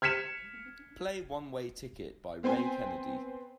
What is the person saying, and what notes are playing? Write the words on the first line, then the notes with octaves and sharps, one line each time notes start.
Play One Way Ticket by Ray Kennedy.
F6 G#6 B6 C#7 E7
B3 C4 C5 G5 G#5